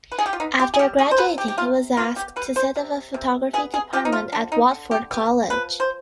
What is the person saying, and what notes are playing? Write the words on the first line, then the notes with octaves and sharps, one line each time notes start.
After graduating, he was asked to set up a photography department at Watford College.
B4
G#4
G4
F4
B3 D#4
G4
G#4
G3 G4
G#4
C5
C3 B4
G4
G4
C3 F4
B3 F4
G4
G3 B4
C5
C3
C3
B3 G#4
G#4
F3 G4
D#4
F4
D3 D4
D#4
D3
G4
B3 G4
F3 B4
C5